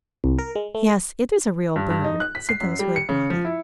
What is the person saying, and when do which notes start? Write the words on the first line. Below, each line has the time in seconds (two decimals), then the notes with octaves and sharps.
'Yes, it is a real bird,' said those who had brought it.
0.24 C2
0.39 A#4
0.56 G#3
0.75 A3
1.76 G2
1.90 G2
2.04 D#4
2.20 F#6
2.35 B6
2.49 C7
2.61 F#2
2.79 G3
2.96 C#7
3.09 C#3
3.30 F3
3.45 E4